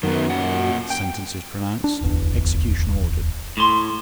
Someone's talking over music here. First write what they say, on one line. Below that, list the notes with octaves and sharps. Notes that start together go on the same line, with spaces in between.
The sentence is pronounced--execution ordered.
F#2 D#3 B3
A#2 F#5
G5
D4
D1 G1 E2
A2 C6